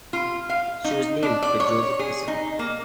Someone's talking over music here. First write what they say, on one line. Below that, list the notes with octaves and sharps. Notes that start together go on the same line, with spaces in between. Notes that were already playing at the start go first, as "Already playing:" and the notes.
She was named for Joseph Hissem.
F4
F5
D#4
D4
D5
C#5
C#5
G#4
D#4
A#3